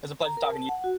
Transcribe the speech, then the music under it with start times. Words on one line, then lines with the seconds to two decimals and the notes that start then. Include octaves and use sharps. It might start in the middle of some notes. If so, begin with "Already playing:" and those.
It's a pleasure talking to you
0.24 A#5
0.37 A#4
0.52 A5
0.69 F#5
0.84 F#4